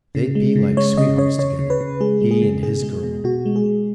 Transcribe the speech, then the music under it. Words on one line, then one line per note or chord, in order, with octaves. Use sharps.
They'd be like sweethearts together, he and his girl.
C#3
G#3
C#3
G#3 C#5
C#3 D#5
C#3 C#5
C#3 C#5
C#3
B4
C#3
G#3 G#4
G#3
G#4
C#3
B2 G#4
G#3
B2
B2 F#4
G#3
G#4
G#3